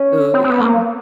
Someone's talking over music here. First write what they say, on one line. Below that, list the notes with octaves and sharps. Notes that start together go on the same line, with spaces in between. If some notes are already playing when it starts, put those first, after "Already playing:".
Ooh, yum.
Already playing: C#4
C4
C4
B3
A3
A#3